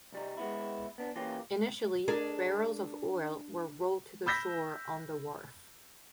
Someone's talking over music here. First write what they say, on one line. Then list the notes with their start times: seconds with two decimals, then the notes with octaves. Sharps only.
Initially barrels of oil were rolled to shore on the wharf.
0.12 C2 G3 D#4
0.37 G#3 B3 E4
0.98 B3 D4
1.16 E3 A#3 C#4 F4 G4
2.08 D4 G#4 A#4
4.26 B5 E6 G6 A#6 B6